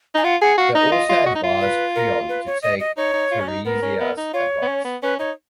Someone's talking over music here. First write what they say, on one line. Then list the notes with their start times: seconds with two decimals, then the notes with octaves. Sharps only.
They also advise Creon to take Tiresias's advice.
0.15 D#4 G#5
0.24 F4 F#5
0.41 G#4 F#5
0.58 F#4 F5
0.75 D#4 D#5
0.92 F4
1.10 F4
1.26 F#4
1.35 D#4
1.44 F4
1.61 B4
1.95 A#4
2.29 B4
2.46 C#5
2.62 D#5
2.80 D#5
2.97 D#4 C#5
3.14 D#4
3.32 F4
3.40 C#4
3.48 D#4
3.65 B3 A#4
3.82 C#4
4.00 B3
4.17 D#4
4.34 F4 C#5
4.62 B3
4.68 C#4
4.85 B3
5.03 C#4 B4
5.19 D#4 C#5